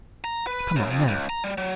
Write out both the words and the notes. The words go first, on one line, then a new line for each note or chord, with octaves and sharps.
"Come on--now."
A#5
B4
F#2
F2
C#2
A#5
G3
F#3